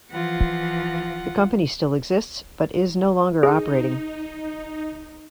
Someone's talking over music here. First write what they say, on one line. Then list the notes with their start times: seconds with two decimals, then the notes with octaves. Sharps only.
The company still exists, but is no longer operating.
0.11 E3 F3 F4 F#5
3.43 D#4 G#4